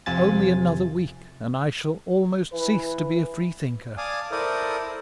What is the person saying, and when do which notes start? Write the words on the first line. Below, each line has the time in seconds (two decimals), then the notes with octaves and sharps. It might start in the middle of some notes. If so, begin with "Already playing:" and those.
Only another week and I shall almost cease to be a free thinker!
0.06 F2 C3 F4 G#5 A6
2.53 E3 B4
3.98 D5 F5 G#5 A5 D#6
4.31 E4 A4 A#4 C5 D5 D#6